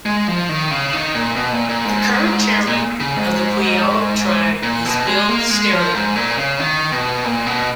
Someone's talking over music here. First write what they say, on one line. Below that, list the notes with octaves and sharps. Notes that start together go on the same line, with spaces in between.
The current chairman of the Puyallup Tribe is Bill Sterud.
G#3
F3
D#3
C#3
D#3
A#2
B2
A#2
A#2
G#2
A#2
C#3
G#2
A#2
B2
G#3
A#3
G#3
F3
G#2
A#2
C#3
D#3
B2
A#2
B2